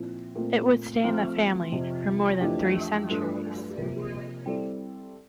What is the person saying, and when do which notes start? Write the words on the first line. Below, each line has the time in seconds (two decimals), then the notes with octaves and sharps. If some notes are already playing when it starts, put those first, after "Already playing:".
It would stay in the family for more than three centuries.
Already playing: A#2 F3 C4 E4
0.35 A#2 A3 C4
1.03 F3 A3 C4 F4
1.72 F2 C3 F3
2.40 F2 E3 A3 D4 G4
3.09 G2 F3 A3 D4 A4
3.77 C3 F3 A#3
4.46 G3 C4 E4 A4 D5